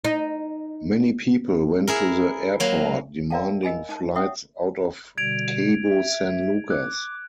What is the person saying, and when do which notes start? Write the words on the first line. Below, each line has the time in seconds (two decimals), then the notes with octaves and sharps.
Many people went to the airport, demanding flights out of Cabo San Lucas.
0.05 D#4
1.88 E4 G#4 A#4
2.60 F#3 A#3
3.31 A#4 D5 E5 F5 G5 A5
3.63 A#4 D#5 G#5 B5
3.89 D#4 A5
4.15 C#5 E5 F#5 G5 D#6
5.18 B2 D3 G3 G#6 D7 F7
5.89 E5
6.70 D6 F#6